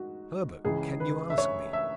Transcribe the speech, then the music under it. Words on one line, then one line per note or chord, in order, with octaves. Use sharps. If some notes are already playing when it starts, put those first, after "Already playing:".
"Herbert, can you ask me?"
Already playing: G#2 F#4
C#2 C#3 E3 G#4
B4
E5
C#5
E5